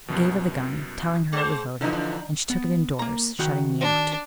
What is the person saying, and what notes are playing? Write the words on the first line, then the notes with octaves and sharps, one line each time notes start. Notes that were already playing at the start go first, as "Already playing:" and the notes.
I gave her the gun, telling her it was loaded, and she took it indoors, shutting me out.
C2 F#2 B2
G#3 C5
D3 E3 F3 D4 D#4
B3
A#3 A#5
D#3 F#4 G5
D4